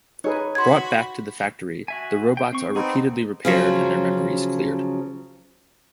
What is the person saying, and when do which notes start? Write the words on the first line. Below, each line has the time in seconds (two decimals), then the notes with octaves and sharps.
Brought back to the factory the robots are repeatedly repaired and their memories cleared.
0.24 D#4 G#4 B4 C#5
0.55 F#4 B5 C6 G#6
1.88 F#4 E5 G#5
2.37 G5
2.53 C4 C#6
2.76 B3 C4 D#4 G#4 G5
3.45 C#3 F3 F#3